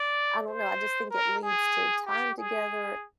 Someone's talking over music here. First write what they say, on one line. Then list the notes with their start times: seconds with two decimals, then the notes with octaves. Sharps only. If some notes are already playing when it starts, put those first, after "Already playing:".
I don't know, I just think it leads to time together
Already playing: D5
0.47 C5
1.11 A#4
1.43 G#4
2.06 G4
2.38 G#4